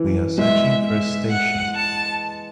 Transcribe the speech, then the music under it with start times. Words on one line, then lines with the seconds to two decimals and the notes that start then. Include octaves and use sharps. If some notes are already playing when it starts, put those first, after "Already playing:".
We are searching for a station.
Already playing: E3
0.38 G#3 E5
0.84 E5
1.30 F#5
1.76 A5